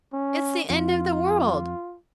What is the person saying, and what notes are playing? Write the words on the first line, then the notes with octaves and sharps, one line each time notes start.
It's the end of the world.
C#4
F2 F4